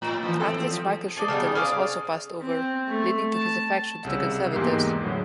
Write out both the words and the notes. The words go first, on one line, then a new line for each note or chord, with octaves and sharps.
Activist Michael Shrimpton was also passed over, leading to his defection to the Conservatives.
A2
A2 E3 F3
C4 A4
E2 C4
F3
G#4 A4 D5
C#3 G3 B3 D#4
C#4 G#4 D5 F5
C4
A3
A5
C2 C#3 E6
E2 G#2 A#3 D#4 G4 C7
A2 D3 F#3 G#3